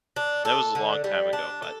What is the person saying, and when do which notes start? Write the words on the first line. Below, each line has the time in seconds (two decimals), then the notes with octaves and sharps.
That was a long time ago, but,
0.16 D4
0.45 A4
0.75 D3
1.04 G3
1.33 D4
1.62 A4